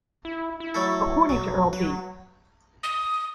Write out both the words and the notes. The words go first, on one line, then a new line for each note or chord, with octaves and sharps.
According to Earl B.
E4
E4
F#3 A3 A4
B1 F#3
F#3 B4
D#6